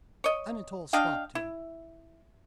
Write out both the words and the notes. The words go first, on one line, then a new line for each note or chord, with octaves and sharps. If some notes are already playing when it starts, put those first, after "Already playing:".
Anatole stopped him.
C#5 D#5
D4 D#5 F5 G5
E4